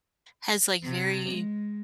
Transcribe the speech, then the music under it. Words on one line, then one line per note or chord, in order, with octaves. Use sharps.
has like, very,
C3
G#3